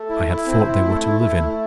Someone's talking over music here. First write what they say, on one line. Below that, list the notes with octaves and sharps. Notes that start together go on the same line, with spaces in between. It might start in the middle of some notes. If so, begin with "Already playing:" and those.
I had thought they were to live in.
Already playing: A3
E4
E4
C4
E4
A3
E4
E4
A3